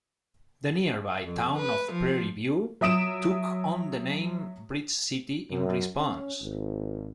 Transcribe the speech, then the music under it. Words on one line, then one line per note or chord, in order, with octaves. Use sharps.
The nearby town of Prairie View took on the name "Bridge City" in response.
F2
B4
F3
F#3 E5 D#6 D7 E7
F#2
C#4
G#1